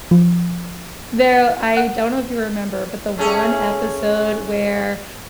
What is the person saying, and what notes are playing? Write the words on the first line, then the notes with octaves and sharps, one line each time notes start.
there I don't know if you remember, but the one episode where
F3
F#5
A3 C#4 G#4